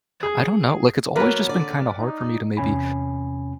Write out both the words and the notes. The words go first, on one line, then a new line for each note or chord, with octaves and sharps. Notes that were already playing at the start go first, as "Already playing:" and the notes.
I don't know. Like, it's always, just, been, kinda, hard for me to, maybe,
G#4
F#3 A#3 B3 A#4 B4
D3 D5
D#4
E2 C3 C#4 G#5 B5